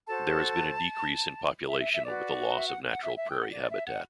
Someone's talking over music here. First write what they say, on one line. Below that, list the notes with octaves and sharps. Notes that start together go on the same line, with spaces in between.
There has been a decrease in population with the loss of natural prairie habitat.
F#4 A4 C5 A5
E5
E5
E5
F#4 B4 D5
E5
F#5
F#5
E5
E5
G5
F#5
D5
E5
F#5